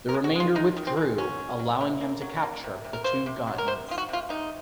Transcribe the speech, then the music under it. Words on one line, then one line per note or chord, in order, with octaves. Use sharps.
The remainder withdrew, allowing him to capture the two guns.
A#4
G#3
F#4
G#3 F4
G#3 D#4
D#3
C4
G#3
F#3 C#4
F#3
F#3
C3
A#3
F#3
A#3
C3
C3
A#4
A#3 C5
C3
F#3
A#4
C3 C5
D#3 F4
F#4
C3 F4
C3 D#4